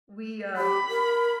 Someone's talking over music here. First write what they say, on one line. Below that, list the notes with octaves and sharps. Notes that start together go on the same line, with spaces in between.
We, um
G4 B5
A#4